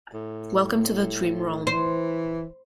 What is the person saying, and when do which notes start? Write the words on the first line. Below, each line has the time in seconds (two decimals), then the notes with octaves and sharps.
Welcome to the dream realm.
0.14 A2
1.67 E3 C5